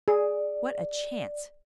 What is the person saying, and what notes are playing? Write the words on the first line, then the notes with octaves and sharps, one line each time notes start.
What a chance!
G#4 D5